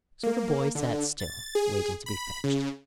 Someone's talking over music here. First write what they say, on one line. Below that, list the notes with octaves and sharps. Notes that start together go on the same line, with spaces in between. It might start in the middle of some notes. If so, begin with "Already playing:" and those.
So the boy sat still, waiting to be fetched.
A#3
D3
A6
G#4
B5
C#3